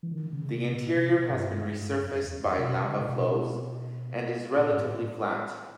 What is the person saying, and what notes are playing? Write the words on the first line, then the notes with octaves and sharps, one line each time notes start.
The interior has been resurfaced by lava flows, and is relatively flat.
E3
D#3
C#3
C#3
C3
A#2
C3
B2
G#2
G2
G2
F#2
E2
F2
C3
B2
C#3
A#2
B2
A#2
G#2
A2